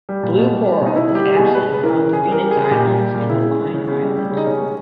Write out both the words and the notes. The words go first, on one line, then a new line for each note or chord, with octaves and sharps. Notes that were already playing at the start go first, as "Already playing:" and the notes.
Blue coral is absent from the Phoenix Islands and the Line Islands.
G3
A#2
B2
G3
G3
B2 D#4
B2 E4
E4
G3 G4
G3
B2 G#4
G#3 B4
C#3 B4
E3 A#4
C#3
C#3 G#4
G3
A#4
G3
G#4
C#3
G#4
A#2 G4
G3
G3
A#2
C#3 E4
G#3
G#3
C#3
C#3
G3
G3
C#3
D#4
B2 C#4
G#3